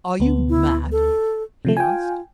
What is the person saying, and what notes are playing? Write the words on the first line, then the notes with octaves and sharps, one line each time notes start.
"Are you mad?" he asked.
D2 B3
E4
A4
C3 F3 A3
F4 G5 G#5